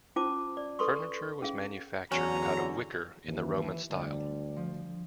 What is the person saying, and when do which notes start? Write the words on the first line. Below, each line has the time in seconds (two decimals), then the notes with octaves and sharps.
Furniture was manufactured out of wicker in the Roman style.
0.16 C#4 F4 C5 A5 D6
0.57 D5
0.79 A4 B4 C6 C#6
1.42 C#4 G#4 F5
2.12 E2 D3 F#3 C#4 A#5
3.25 D#2 E3
3.90 D2 D3 G3 D5
4.56 F3